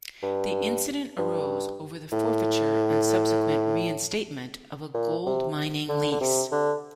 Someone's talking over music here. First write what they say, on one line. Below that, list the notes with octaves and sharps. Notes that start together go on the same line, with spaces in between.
The incident arose over the forfeiture and subsequent reinstatement of a gold mining lease.
G2
G2
A2
A#2
C3
D3
D3
C3
D3